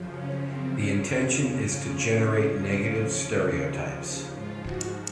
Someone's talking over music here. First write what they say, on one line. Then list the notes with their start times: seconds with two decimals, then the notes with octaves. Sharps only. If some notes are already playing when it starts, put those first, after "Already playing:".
The intention is to generate negative stereotypes.
Already playing: F#2 C#3 F3
0.15 C#4
0.45 C4
0.74 F2 C#3 F3 C#4
1.05 C#4
1.35 C#4
1.65 C#4
2.55 D#2 C#3 F3
4.34 G#2 F3 F4
4.64 F#4